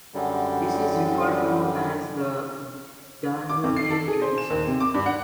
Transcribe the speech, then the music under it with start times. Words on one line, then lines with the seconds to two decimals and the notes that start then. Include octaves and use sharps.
This is referred to as the Danubian tradition.
0.14 F#2 D3 F#3 G3
3.49 D6
3.64 F2
3.77 C7
3.90 A4
4.08 G#4
4.22 C5
4.38 E7
4.50 D#2
4.68 C3
4.80 D6
4.94 G2
5.06 F#5